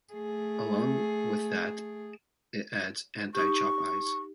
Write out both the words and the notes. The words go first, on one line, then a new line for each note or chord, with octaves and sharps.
Along with that it adds anti-chop eyes.
A3 G#4
D#4 G4 C#6